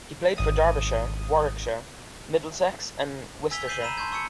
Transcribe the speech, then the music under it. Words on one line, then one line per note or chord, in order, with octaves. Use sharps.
He played for Derbyshire, Warwickshire, Middlesex and Worcestershire.
G#1 D#6 D#7
G#5 E6 G#6 B6 F7 G7
G6 B6 C7 D#7 F#7 G7
A#5 B5 E6 D#7 E7
A5 C6 C#6 G6 G#6
C#6 E6 G#6 C#7